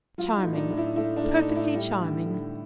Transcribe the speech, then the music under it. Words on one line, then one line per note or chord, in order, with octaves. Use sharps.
Charming; perfectly charming.
F#3 F4
D#4
A2
D4
D#4
A2
E4
A3 E4
D4
A3
D#4
A2
E4
G3 E4
D3
D3